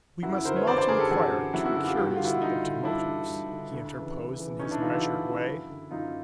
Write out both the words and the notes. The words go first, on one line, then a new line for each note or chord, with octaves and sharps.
"We must not inquire too curiously into motives," he interposed, in his measured way.
F#2 E4 F#4
E4 F#4
D3 A#4 C5
B4 C#5
F#2 C5 D5
C5 D5
D3 G#4 A#4
G4 A4
F#2 F#4 G#4
D3
F#2 E4 F#4
E4 F#4
D3 E4 F#4
F4 G4
G2 G4
F#4
D3 F4
E4 F#4
G2 D#4 F4
D3
G2 D4 E4
D3
G2
D3
D2
C#3 E3
D2
C#3 E3
D2 C#4 D#4
D4 E4
C#3 E3 D#4 F4
E4 F#4
D2
C#3 E3
F#2
D3
F#2 D#4 F4